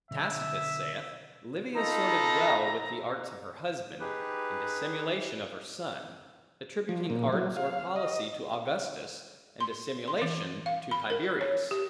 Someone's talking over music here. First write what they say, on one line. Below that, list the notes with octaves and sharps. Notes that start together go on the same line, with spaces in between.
Tacitus saith, Livia sorted well with the arts of her husband, and dissimulation of her son; attributing arts or policy to Augustus, and dissimulation to Tiberius.
B2 D3 F#3 E5
D#4 F4 A4 A#5 B5
D#4 G4 G#4 B4
F3
A#2
F#3
F5
D#5
C6
C6
E3
F5
B5
A#4
C#5
G4